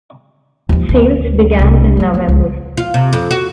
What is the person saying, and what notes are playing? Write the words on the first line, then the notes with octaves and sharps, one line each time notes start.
Sales began in November.
D#2 F3
D2 C#4
C2 D4
F#3 A3
A3 B3
C#2
F4
C3
F2
F#4